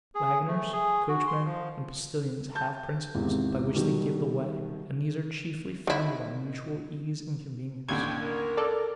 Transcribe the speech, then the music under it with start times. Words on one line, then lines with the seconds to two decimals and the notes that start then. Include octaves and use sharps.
Waggoners, coachmen, and postilions have principles, by which they give the way; and these are chiefly founded on mutual ease and convenience.
0.15 G#4
0.48 A3
0.73 G#4
1.08 F#4
1.27 C6
1.45 F3
2.55 A5 G6
3.15 G#1 E2 G#2 C3
3.75 B2 D#3 F#3 G3
5.87 D#3 E4
7.88 A1 D#2 D3 G5 G#6
8.20 A#4
8.57 A4 D5